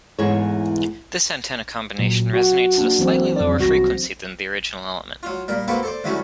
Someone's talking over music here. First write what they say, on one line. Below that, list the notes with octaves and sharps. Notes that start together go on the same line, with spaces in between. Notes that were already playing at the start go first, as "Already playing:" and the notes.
This antenna combination resonates at a slightly lower frequency than the original element.
E2 G#2 E3 A3 E4 C#5
A#2 F#3
F#4 F#5
A#3 D4
E3 F#3 C4
F2 D5
C2 F#4 A#6
F#3 F4
A#2 G3 A#4
A#3 C4 F#4 G4 A4 B4
A4 C5 D5
D2 A2 F#3 G3 A3 C#4